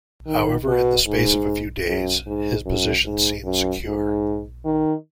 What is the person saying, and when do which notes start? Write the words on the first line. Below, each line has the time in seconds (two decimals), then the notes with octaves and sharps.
However, in the space of a few days, his position seemed secure.
0.27 D#3
0.68 B2
1.06 G#2
1.86 F#2
2.27 G#2
2.66 F#2
3.05 G#2
3.45 F#2
3.85 G#2
4.65 D#3